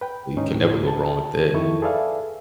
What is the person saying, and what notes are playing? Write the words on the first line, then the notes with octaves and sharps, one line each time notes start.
Well, you can never go wrong with that.
B4 G5
G#2 C#4 D#4
A2
A5
F2 D#3 E4 A4 C#6
G#4 A4 B4 D5 E5 F5